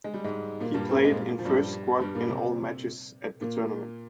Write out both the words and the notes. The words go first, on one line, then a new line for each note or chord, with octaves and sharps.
He played in first squad in all matches at the tournament.
G#3
G3
G#2 G#3
A#2 A#3
G2 G3
C4
A#3
G#3
A#2 A#3
F3
G2 G3
G2 G3
A#2 A#3
C3 C4
A#2 A#3